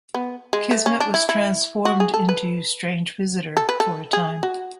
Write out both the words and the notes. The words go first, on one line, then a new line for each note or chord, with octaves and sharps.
Kismet was transformed into Strange Visitor for a time.
B3
G#3
A3
C#4
D4
E4
E4
F#4
G#4
A4
B4
A4
B4
A4
G#4
F#4